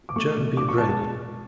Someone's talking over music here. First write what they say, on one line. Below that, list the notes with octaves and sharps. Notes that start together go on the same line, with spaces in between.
John B. Brady.
D6
A3 C#6
B2
D4 D6
C#6
G#3 A5
A5